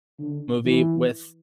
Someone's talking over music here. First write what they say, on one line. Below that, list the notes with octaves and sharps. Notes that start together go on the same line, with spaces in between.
movie with,
D3
E3